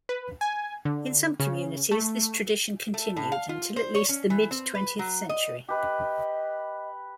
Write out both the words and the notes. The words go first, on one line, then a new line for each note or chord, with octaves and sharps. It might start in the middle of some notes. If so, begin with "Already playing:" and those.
In some communities this tradition continued until at least the mid-twentieth century.
B4
G#5
D3
C#3
A3
A3
A2
F5
F4
C5
C#5
C#4
E3
C4
B4
F#3
D#5
G4 B4 D#5